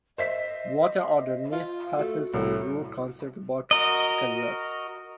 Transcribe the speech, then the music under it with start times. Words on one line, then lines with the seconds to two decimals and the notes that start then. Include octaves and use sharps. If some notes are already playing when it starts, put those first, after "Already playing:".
Water underneath passes through concrete box culverts.
0.18 C5 D#5 E5 B6
1.52 F4
1.97 A3 F#4
2.34 C2 A2
3.71 F#4 A#4 D#5